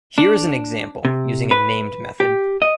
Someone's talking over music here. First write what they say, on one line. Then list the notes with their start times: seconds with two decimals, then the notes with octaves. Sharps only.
Here is an example using a named method.
0.18 D4
1.05 C3
1.51 B4
2.20 G4
2.62 D#5